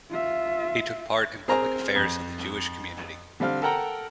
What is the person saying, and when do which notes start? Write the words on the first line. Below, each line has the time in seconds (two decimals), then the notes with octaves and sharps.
He took part in public affairs of the Jewish community.
0.11 F4 E5
1.48 C4 G#4 A#4 C5 G#5 A#5
1.95 F2
3.40 D3 G3 C4 F5 F6
3.62 A4 A#4 F#5 G5 A#5